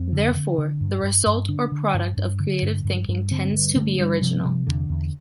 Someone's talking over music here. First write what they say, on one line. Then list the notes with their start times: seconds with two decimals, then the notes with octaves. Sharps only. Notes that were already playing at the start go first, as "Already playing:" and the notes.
Therefore, the result or product of creative thinking tends to be original.
Already playing: F2 C4
0.13 D3
0.35 D3
0.58 D3
0.81 G2
1.03 G2
1.26 G2
1.49 D3 D4
1.72 D3
1.94 G2
2.17 G2
2.40 D3
2.62 G2
2.85 G2
3.08 G2
3.31 D3 C4
3.53 G2
3.76 D3 A3
3.99 G2 G3
4.21 C3 F3
4.44 C3
4.67 E2 D3
4.90 E2